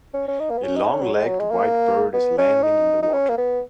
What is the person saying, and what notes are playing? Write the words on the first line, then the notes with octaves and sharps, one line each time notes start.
A long legged white bird is landing in the water.
C#4
C#4
D#4
A#3
B3
C#4
D#4
C#4
F#3
G#3
F#3
G#3
A#3
B3
C#4
D#4
D#4
C#4
A#3
B3